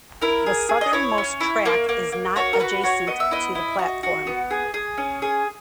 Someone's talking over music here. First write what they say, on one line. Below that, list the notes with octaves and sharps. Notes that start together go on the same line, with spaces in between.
The southern-most track is not adjacent to the platform.
E4 A#4
G#4
G#4
D#5
E4 C#5
C#4
E4
A#3
A#3
A#3
F#4 C#5
A#4
F#4 B4
F#4 C#5
B3 D#5
E5
E4 D#5
E4
F#4
F#4
B3
G#4
G#4
C#4
G#4